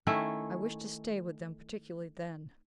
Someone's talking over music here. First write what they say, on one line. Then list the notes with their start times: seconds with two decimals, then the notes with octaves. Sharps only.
I wish to stay with them particularly then.
0.07 D#3 A3 C#4 E4